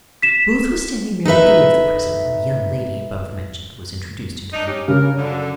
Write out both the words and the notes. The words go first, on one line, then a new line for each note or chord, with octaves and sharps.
Booth was standing near the gate of the prison when the young lady above mentioned was introduced into the yard.
B6 E7
D#4 A4 B4 E5
D4 D#4
C#4 G4
C#3 A#4
F#2 D3